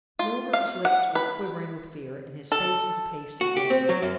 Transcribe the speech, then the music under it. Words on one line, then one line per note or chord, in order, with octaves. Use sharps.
Milburgh's lips were quivering with fear and his face was a pasty grey.
F4
F5
F#5
B4
A4
F#4
G4
C4
F#3
F#2